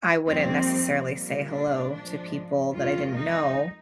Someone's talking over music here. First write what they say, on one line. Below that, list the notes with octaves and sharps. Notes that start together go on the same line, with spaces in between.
I wouldn't necessarily say "hello" to people that I didn't know
F2 D#3 G3 A#3 C4
A#2 G3 A#3
D4
G#2 F3 G#3 D4
F2 D#3 G#3 F4
D#4